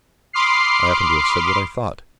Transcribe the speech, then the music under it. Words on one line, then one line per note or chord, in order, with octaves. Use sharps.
I happen to have said what I thought.
B5 C6 D6 D#6 F6 C7